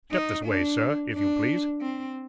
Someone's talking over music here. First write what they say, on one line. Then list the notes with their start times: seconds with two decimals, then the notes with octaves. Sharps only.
Step this way, sir, if you please.'
0.12 D#4
0.45 D4
1.13 D4
1.81 C4